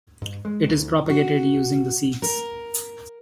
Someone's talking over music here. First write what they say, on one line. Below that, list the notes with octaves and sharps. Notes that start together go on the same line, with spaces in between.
It is propagated using the seeds.
G2
G#3
D2
F#4
A#4